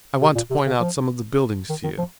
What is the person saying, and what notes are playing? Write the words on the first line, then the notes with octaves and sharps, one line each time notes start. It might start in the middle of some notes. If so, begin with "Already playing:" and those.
"I want to point out some of the buildings to you."
C3
A#2
C3
C#3
F3
D#3
D#3
F3